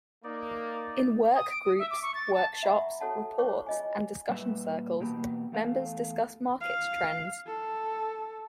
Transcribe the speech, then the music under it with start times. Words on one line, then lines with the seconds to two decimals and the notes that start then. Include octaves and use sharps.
In work groups, workshops, reports and discussion circles, members discuss market trends.
0.24 A#3 D#4 D5
1.36 D#6
1.50 D7
1.64 D#6
1.79 E5
1.91 D6
2.03 C#6
2.15 A6
2.34 A5
2.63 E5 F#5 A#5 B5 C#6
3.01 F#4 A4 C#5 F#5 A5
3.38 E4 C5 C#5 C#6 D6
3.66 F4 D#5 G#5
4.29 A#2 G3 B4 E5
5.00 B2 E3 A#3 G4 B4
5.52 E2 A3 F5
6.61 F5
7.46 A4